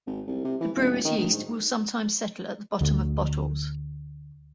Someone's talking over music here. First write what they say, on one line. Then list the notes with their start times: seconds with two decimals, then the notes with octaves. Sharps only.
The brewer's yeast will sometimes settle at the bottom of bottles.
0.07 G#1
0.27 C2
0.45 C3
0.61 E3
0.77 D#1
0.91 D#1
1.05 D#3
1.17 D2
1.30 G#2
2.81 D2 D3 A3